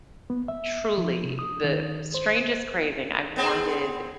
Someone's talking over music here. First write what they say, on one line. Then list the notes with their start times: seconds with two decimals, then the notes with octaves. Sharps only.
truly the strangest craving, I wanted
0.30 B3
0.48 E5
0.98 F3
1.23 C3
1.39 D#6
1.64 D#3
2.14 C5
3.36 B3 C4 G#4